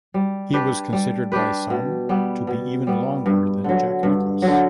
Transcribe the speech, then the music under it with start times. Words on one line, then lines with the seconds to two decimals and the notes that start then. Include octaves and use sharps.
He was considered by some to be even longer than Jack Nicklaus.
0.14 G3
0.53 D4 G4 B4
0.93 G3
1.32 D4 G4 B4
1.70 B2
2.09 G3 B3
2.47 B2
2.87 G3 B3
3.26 G2
3.64 D3 F#3
4.03 G2
4.42 D3 F#3